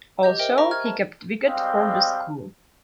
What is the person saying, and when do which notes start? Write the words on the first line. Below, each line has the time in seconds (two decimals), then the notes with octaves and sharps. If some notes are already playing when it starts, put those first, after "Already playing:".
Also he kept wicket for the school.
0.23 G4 D#5 G6
0.39 A#4 C5 D#5 E5 G5
0.58 C5 E5 A#5 C#6 A#6
0.71 F6 G#6
0.86 A5
1.45 G3 G#3 C4 D#5 F5 G5